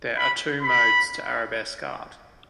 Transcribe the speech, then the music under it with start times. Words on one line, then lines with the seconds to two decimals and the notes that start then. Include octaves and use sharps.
There are two modes to arabesque art.
0.18 B5
0.62 B5